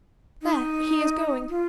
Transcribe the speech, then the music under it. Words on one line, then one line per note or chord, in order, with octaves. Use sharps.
There; he is going.
D#4
F4